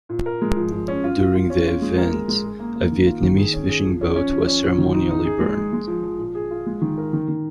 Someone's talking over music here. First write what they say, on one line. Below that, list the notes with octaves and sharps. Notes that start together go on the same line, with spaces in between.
During the event, a Vietnamese fishing boat was ceremonially burned.
A#2
A#4
G#3
F3
F3
C#4
F4
F4
F4
C#4
F4
G#3
A#4
G#3
G#3
G#4
A#3
A#3
D#3
F4
D#3
G#4
C#4
G#4
F3
C#4
C#4
F3
C#4
A#2
D#3
D#4
D#4
G#4
G#3
G#3
G#3
F3
F3
A#2
G#4
F4
G#3
D#3
A#4
D#3
D#3